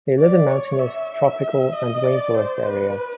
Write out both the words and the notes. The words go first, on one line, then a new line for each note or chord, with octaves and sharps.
They live in mountainous, tropical, and rainforest areas.
D5
C#5
E5
D#5
D5
C5
B4